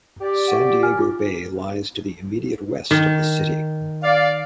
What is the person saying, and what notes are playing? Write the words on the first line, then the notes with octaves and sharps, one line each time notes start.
San Diego Bay lies to the immediate west of the city.
G4 D5
F#5 C#6
G#5 F6
F4 D6
D#3
D5 F5